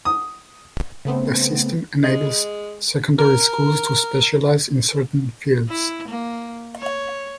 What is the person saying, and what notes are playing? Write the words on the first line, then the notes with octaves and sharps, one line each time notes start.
The system enables secondary schools to specialise in certain fields.
D#6
C#3 A3 B3 C4
G#3
A#4
E4
A#3
C#5